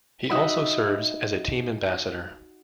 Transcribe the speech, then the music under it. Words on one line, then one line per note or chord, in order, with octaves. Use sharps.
He also serves as a team ambassador.
D#4 F#4 D#5 E5 F#5 B5